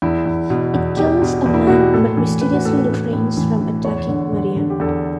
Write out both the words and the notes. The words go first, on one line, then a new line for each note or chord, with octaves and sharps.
It kills a man, but mysteriously refrains from attacking Marianne.
E2 E4
E2
B2
E2
E2 G4
B2
E2
E4
B2 F#4
G4
A2 A4
E3
E3 B4
F#4
A2 A4
B4
A2
A2
E3
E3
E2 C#5
D3
D3
D3
G4
E2 A4